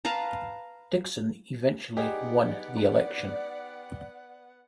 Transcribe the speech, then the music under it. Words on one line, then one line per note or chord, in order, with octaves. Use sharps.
Dixon eventually won the election.
B4 F5 A5 A#5
B3 D#4 G4 G#4 D5 F#5